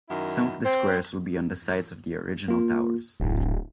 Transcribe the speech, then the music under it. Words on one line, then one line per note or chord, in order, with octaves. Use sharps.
Some of the squares will be on the sites of the original towers.
F#2 D#3 E4
C4 C5
A#3 F4
D1 B1 G#2